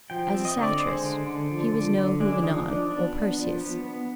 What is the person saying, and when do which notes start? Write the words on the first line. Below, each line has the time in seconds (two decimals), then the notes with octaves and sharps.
As a satirist he was no Juvenal or Persius.
0.10 F3 G5
0.34 C4
0.45 D#5
0.57 D3
0.63 D5
0.80 G#3 C5
1.04 D3
1.27 D3
1.51 F3
1.74 D3
1.97 D3
2.20 G#3 D4
2.33 D4
2.44 F3 D#4
2.67 F3 D4
2.91 B3 D4
3.14 B3
3.38 F3
3.61 B3
3.84 B3